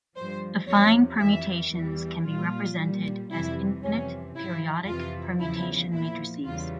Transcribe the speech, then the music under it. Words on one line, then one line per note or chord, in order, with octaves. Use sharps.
Affine permutations can be represented as infinite periodic permutation matrices.
G2 F3 C5
E2 C3 F3 C#5
F2 E3 G3 E5
E2 E3 G3
A#2 G3 F4
A#2 G3
F2 C3 E3 G3 E4
F2 C3 E3 C#4
G#2 F3 E4
F2 C3 E3 F4
E2 C#3 F3 E4
A#2 F3 E4
E2 C#3 E3 G3 F4